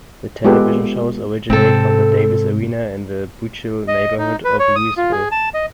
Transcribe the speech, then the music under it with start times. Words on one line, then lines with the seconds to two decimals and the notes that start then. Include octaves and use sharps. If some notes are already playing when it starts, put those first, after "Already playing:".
The television shows originate from the Davis Arena in the Buechel neighborhood of Louisville.
0.45 G#3 B3 F4 G4 A4 B4
1.50 G#2 C3 C4 A4
3.88 D#5
4.19 D#4
4.45 B4
4.59 C#5
4.76 D#6
4.97 F4
5.12 G#4
5.32 A5
5.54 D#5